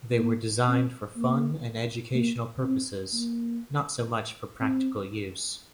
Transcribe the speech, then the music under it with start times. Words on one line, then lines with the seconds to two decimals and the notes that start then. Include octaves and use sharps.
They were designed for fun and educational purposes, not so much for practical use.
0.19 A#3
0.68 C4
1.16 A#3
2.15 A#3
2.63 C4
3.14 A#3
4.60 C4